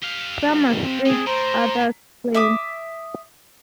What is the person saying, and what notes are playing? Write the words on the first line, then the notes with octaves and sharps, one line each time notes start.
Some are streaked, others plain.
G4 F5
C4
G#3 D4 G#4
A2 C5 A#5
E5 D6 D#6